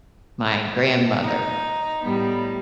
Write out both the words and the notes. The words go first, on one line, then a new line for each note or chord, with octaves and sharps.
my grandmother
D#4
A2 G3 B3